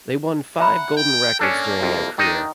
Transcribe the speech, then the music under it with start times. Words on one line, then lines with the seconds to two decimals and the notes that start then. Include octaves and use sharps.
They won five golden records during their career.
0.60 E5 F#5 A#5 B5
0.97 G5
1.39 A#3 C#4 D4 A4
1.81 C2 F2
2.18 D#3 D4 D#4 D#5